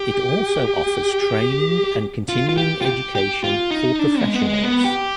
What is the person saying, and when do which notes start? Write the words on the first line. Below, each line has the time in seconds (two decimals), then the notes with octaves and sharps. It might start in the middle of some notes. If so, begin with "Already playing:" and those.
It also offers training and continuing education for professionals.
Already playing: G4
2.29 F4
2.49 F4
2.57 G4
2.81 F4
2.86 G4
3.15 G4
3.43 F4
3.71 D#4
3.99 D4
4.21 G#3
4.34 B3
4.42 G#3
4.63 B3
4.84 G4